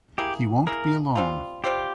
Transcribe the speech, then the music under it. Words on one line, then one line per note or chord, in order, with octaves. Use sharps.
He won’t be alone.
A#3 E4 G4 G#4
A#3 E4 G#4 A#4
C3 G3 C4 F4
C3 G3 C4 F4 G4